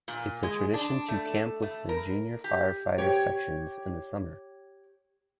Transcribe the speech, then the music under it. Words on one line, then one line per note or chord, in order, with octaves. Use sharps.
It's a tradition to camp with the junior firefighter sections in the summer.
A#2
G#3
D4
A3
A3
A#4
G4
G4 C#5 G5